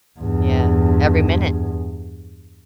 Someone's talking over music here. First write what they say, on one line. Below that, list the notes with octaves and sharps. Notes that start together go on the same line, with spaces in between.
Yeah. Every minute.
E2 G2